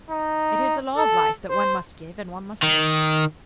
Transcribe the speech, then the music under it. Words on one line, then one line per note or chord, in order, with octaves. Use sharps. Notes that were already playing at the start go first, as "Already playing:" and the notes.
It is the law of life that one must give, and one must take.
D#4
A4
C5
D#3